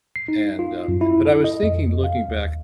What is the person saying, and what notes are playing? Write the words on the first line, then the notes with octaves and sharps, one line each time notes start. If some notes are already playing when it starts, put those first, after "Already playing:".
And uh but I was thinking looking back
C7
D#4
F4
F#2
E4
A4
D#5
F2
F5
D#2